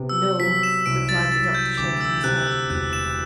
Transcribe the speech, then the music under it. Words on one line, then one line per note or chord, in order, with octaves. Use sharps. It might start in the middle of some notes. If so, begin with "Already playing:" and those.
'No,' replied the Doctor, shaking his head.
Already playing: C3 B3
E6
F#3 B6
E7
C2 D7
A6
F#3 A6
G6
D2 D6
E6
C3 F#6
E6
E1 F#6
E7